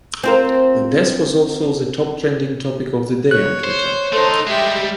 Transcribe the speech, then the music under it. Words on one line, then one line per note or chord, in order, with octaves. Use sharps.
The death was also the top trending topic of the day on Twitter.
C4 F4 A#4
C#5 F#6
C5
A3 D#4 A4 C5 C6
G3 G#3 G4 E5